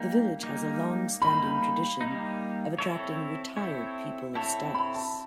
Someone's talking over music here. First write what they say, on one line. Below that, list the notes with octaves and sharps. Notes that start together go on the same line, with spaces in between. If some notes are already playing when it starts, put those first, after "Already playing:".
The village has a long-standing tradition of attracting "retired people of status".
Already playing: G3 A#3 D#4
G3 A#3 D#4
G3 A#3 D#4 B5
G3 A#3 D#4
C4 E4 A4 C#5
C4 E4 A4 C#5
C4 E4 A4 C#5 A5
B5
A5